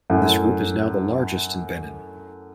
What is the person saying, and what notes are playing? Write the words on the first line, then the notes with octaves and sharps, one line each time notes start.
This group is now the largest in Benin.
F#2 A2